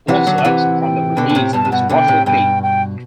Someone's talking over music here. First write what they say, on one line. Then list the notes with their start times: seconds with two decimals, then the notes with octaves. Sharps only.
Also absent from the release is Waffle King.
0.08 C3 E3 F#5
0.27 D3 F#3
0.38 D3
0.45 C3 E3
0.81 G5
1.17 B2 D3
1.30 B2
1.35 A2 C3
1.53 G2 B2 A5
1.65 C3
1.71 G2 B2 F#5
1.89 B2 D3 G5
2.08 A2 C3
2.26 G2 B2 G5
2.62 G5